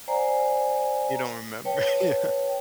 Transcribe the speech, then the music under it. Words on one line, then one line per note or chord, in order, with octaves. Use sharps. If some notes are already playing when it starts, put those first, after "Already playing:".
you don't remember, yeah.
C5 D5 F#5 G#5 A#5
B4 C#5 G5 A5